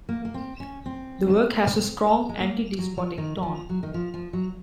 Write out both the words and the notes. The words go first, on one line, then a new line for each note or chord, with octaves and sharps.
The work has a strong anti-despotic tone.
A#3
A#3
C4
C#4
C4
G#3
A#3
F#3
F3
D#3
D#3
F3
F#3
D#3
F3
F3
F#3